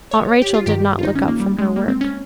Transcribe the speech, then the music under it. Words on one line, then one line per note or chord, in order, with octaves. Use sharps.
Aunt Rachel did not look up from her work.
C#5
G4
F4
G2 D#3 G4
F4
D#4
C#4
A#3
G3
G#3
A#3
C4
C#4